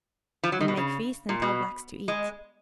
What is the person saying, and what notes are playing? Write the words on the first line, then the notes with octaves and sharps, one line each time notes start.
He make feast and tell Blacks to eat.
F3
F#3
D#3
B2
C#3
A#2
B2
G#3